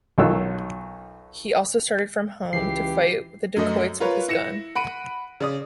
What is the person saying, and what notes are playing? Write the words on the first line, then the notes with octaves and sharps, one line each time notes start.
He also started from home to fight the dacoits with his gun.
B1 D#3 F#3 F4 E6
C#2 E3 G4 C7
F#2 A3 D#5
F4 A#4 B4 C#5
E4 A#6 C#7 E7
F#5 B5 D7 D#7
C#3 D5 D#6